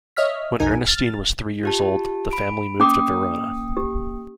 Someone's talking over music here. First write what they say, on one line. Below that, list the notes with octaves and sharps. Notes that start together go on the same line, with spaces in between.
When Ernestine was three years old, the family moved to Verona.
C#5 D#5 E5 F6 B6
B1 F2 D#4 A#4 G#5
F6 A6
F4 G4 A5
B5 D7
A#3 C#4 G5 D6 D#6
G4